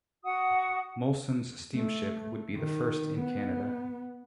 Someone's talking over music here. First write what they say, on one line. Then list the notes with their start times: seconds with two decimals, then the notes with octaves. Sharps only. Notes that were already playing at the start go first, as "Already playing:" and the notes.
Molson's steamship would be the first in Canada.
0.24 F#4 F#5 D#6
1.75 A3
2.55 D#3
3.19 B3